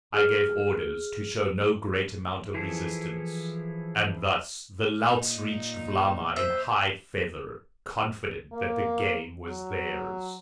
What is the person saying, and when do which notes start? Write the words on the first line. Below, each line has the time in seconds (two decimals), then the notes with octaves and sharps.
I gave orders to show no great amount of resistance; and thus, the louts reached Vlama in high feather, confident that the game was theirs.
0.14 G#4 F6
2.54 E3 F3 E4 G#4 A4
5.09 A#2 D#4
6.36 C5 E5
8.53 A#3
9.48 F#3